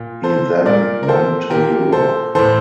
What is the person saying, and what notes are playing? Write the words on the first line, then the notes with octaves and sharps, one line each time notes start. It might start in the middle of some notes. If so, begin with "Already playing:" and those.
He then went to Europe.
Already playing: A#2
A4 C5
A#2 A#4 D5
A#4
A4 C5
A#2 G4 A#4
A4 C5
A2 E3 A4 C5